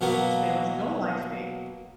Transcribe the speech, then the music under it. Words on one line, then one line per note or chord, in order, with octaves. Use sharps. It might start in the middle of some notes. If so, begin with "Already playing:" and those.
This man was no lifing.
B2 F#3 A#3 B3